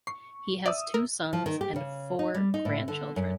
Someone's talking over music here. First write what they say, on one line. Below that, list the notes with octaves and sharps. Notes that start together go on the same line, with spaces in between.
He has two sons and four grandchildren.
C#6 C7
D5 E5 D#6 E6
A#4
F3
D#3
G4
C#3
D#4
G3
D#4
A2
D3
F#2